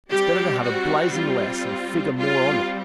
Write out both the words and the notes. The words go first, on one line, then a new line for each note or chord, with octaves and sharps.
It is better to have a blazon less and a figure more on it.
G3 C4 G4
F#4
F4
G3 C4 F4